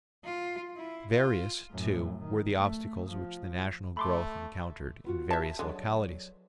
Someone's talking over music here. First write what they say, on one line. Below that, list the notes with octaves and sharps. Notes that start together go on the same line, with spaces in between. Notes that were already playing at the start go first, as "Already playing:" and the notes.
Various, too, were the obstacles which the national growth encountered in various localities.
F4
E4
F4
F#2 A2
D#3
A3
F3
A3 B5 C6 D6
B3 F4 F#4
E5 A5
D3 F#3 G#3 B4 D5